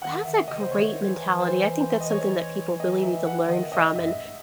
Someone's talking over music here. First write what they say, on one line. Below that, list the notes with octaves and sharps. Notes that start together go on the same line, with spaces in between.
That's a great mentality, I think that's something that people really need to learn from, and
D#3 F#5
D#3 E5
C#3 D#5
C5
D#3 C#5
E3
C5
D#5
E3 C#5
D#5
E5
F#5
D#3 D#5
C3 D#5
F#2 E5
G#2